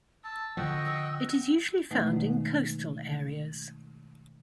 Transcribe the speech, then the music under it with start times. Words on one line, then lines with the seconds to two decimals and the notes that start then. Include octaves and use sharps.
It is usually found in coastal areas.
0.24 A5 E6
0.57 D3 F3 D#5 F#5 G5 C#6
1.91 B2 D#3 G#3 A3 D#4 F#5